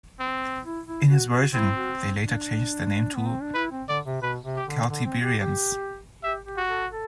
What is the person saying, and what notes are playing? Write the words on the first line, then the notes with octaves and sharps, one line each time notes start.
In his version, they later changed their name to 'Celtiberians'.
C4
E4
E4
F#4
F#4
C4 E4
F#4
D4
B3
C4
D4
E4 B4
C4
D3 D5
C3
B2 B4
C3
G4
D3
D3
C4
G4
G4
G4 E5
G4
F#4
A4
A4